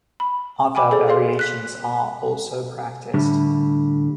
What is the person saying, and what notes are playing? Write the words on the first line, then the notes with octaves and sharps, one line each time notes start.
Other variations are also practiced.
B5
G5 G#5 B5 D6
G#4 A4 C5 D5
G#4 D5 F5 C6
F#6 B6
A2 D3 G3